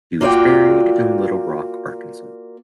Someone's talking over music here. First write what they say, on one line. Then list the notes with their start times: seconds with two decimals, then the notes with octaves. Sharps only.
He was buried in Little Rock, Arkansas.
0.21 A#3 F4 F#4 D5 G5